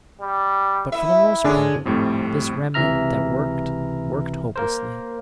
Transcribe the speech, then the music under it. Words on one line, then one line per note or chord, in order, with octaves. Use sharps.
But for the most part this remnant that worked, worked hopelessly.
G3
B3 E4 E5
D3 G#3 C#4 D4 G#4
G#1 F2 A2 G3
C#2 C3 E3 E5 A#5 F6
A#3 A#4 C5